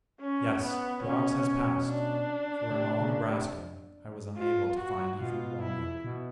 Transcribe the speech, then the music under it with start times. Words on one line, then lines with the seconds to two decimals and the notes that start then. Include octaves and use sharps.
Yes, the ox has passed, for in all Nebraska I was unable to find even one yoke.
0.20 C#4
0.62 B3
1.04 B2 C#4
1.87 D4
2.71 C3
2.99 C#3
3.26 C3
4.38 F4
4.79 F#4
5.21 B2 F4
5.63 E4
6.05 B2